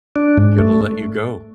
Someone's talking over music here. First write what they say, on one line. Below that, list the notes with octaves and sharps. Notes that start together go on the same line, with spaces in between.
gonna let you go,
D4
G#2
A3